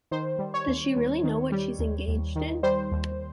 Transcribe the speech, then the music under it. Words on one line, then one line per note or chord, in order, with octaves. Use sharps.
Does she really know what she's engaged in?
D#3 C5
G3
C#5
D#2
D#2
D#3
G3
D#2
D#2
D#3
G3 C5
D#2